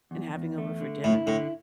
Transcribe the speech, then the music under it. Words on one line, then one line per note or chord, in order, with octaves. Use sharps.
and having over for dinner?
E2
E2
A3
D3
A2 E4
A2 D3